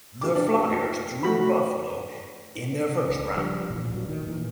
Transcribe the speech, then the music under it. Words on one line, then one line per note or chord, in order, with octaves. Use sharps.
The Flyers drew Buffalo in the first round.
F#1 D3 G#4 G5 D6
C#4 D4 D5
B3 D4 G4
A#3 D#4 F4 G4 A4 C5
A3 F#4 B5
C#2 C#3
F3 G3 D4
A#2 E3 F3
D#1 A1 G2 F#3
D#3
A#2 E3